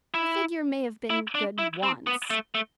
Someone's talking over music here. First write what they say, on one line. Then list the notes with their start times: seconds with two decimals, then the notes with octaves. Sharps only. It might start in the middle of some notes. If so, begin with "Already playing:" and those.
"Her figure may have been good once."
0.14 E4
1.10 E4
1.35 D4
1.59 E4
1.83 C4
2.07 B3
2.30 A3
2.55 A3